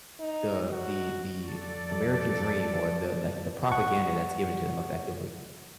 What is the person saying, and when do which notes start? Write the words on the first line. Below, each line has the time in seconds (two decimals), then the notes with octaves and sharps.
the the the American dream or the, like, the propaganda that's given to them effectively
0.20 D#4
0.72 F#4
1.46 F2 A4 D5
3.72 F#5 C#6